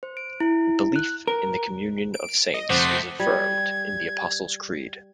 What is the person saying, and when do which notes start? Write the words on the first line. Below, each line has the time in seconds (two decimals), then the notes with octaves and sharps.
Belief in the communion of saints is affirmed in the Apostles' Creed.
0.03 C5
0.17 D7
0.40 E4
0.96 F#6
1.28 A#4
2.14 D7
2.54 D#5
2.70 F2 C3 A3 C5 F#5 D6 D#6
3.20 G3 G#6